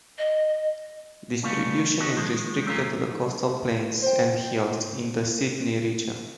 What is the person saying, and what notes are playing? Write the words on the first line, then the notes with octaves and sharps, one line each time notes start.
Distribution is restricted to the coastal plains and hills in the Sydney region.
D#5
C#3 G3 A3 B3 F5
B3 D#4 F#4 G4 A4
D#3 F3 G#3
G3 A3 C#4 F4 A#4
C5 G5